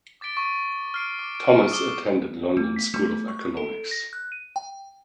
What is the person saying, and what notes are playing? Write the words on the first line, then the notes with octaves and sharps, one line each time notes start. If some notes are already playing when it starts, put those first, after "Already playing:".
Thomas attended London School of Economics.
D6 A6 B6 D7 G7
C#6
F6 C7 D7
D6
D7
D6 D#6 G7
A3
B6
A3
C#6
A4
A#6
F#6
D#7
G5